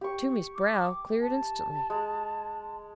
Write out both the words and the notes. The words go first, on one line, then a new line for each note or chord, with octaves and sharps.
Toomey's brow cleared instantly.
G4 C#6
D6
A5
G#3